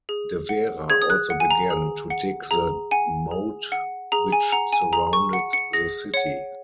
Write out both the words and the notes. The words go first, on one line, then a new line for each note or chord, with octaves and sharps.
De Vera also began to dig the moat which surrounded the city.
G#4
F#5
G#4 G#6
D#6
F#6
F#5
G#5
A#5
G#4
F#5
G#4 A#5
F#5 G#5
G#4
F#5
G#4 A#5
G#5
F#5 A#5
G#5
G#4 A#5
C#6
F#5 C#7
C#7
G#4 A#6
C#5 F#5 C#7